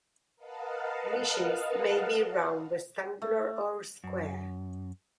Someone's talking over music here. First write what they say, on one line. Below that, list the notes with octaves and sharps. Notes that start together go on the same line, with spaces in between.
Knishes may be round, rectangular, or square.
A#4 B4 D#5 F5 F#5 A5
A3
F#2